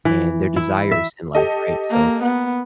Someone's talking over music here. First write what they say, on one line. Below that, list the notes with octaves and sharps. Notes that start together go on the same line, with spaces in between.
and their desires in life, right, so,
E3
E4
E5
G4 A4 D#5
A#3
B3